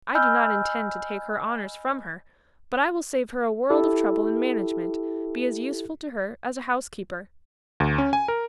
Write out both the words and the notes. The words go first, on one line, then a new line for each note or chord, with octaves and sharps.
I do not intend to take her honors from her; but I will save her a world of trouble in management--be as useful to her as a housekeeper.
D#5 G#5 B5 E6 F6 G6
E4 G4 A4
D2
C#4
G#5
A#4